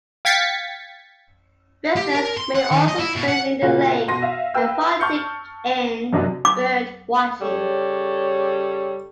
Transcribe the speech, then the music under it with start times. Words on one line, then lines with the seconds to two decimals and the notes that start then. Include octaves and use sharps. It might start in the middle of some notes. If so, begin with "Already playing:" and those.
Visitors may also swim in the lake and partake in birdwatching.
0.25 F5 G5 G#6 A6 B6 C#7
1.96 G4
2.14 A#4
2.37 C6
2.55 F#5
2.71 D#3
2.88 D#5
2.99 E4
3.16 B2
3.28 F#5
3.62 A#2 C#3 F4 F#4
4.08 B2 C6 A#6 D#7
4.22 E5 F5
4.54 B4 G5 E6 G6
5.00 A5 C#6 F6 G6 C#7
6.13 F#2 C3 F#3 D4 F#4 D#5
6.45 D6
7.41 C#3 G3 A4 C#5